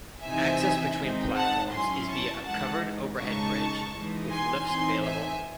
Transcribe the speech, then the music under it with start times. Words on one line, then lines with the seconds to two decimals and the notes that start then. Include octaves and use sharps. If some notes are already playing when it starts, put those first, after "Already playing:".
Access between platforms is via a covered overhead bridge, with lifts available.
0.24 C3 E3 C4 D#4 E5 G#5
0.98 D#3 G#3 C4 D#4
1.35 F#5 A5
1.71 F#3 C#4 E4 G#5 C6
2.08 A5 C#6
2.45 E3 G#3 D#4 F#5 A5
3.19 C#3 G#3 D#4 A5 C#6
3.93 E3 G#3 D#4
4.30 G#5 C6
4.67 E3 C4 D#4 G#5 C6
5.04 E5 G#5